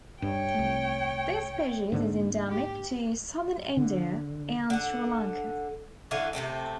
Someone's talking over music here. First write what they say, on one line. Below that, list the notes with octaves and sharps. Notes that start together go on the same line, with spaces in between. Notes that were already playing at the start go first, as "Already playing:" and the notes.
This species is endemic to southern India and Sri Lanka.
G2 C#5 G5
C2 A3
G#2 D3 A#3
G4
D3
D3 F#5
D3 E3 A3 F5
C3 D#3 A3 C4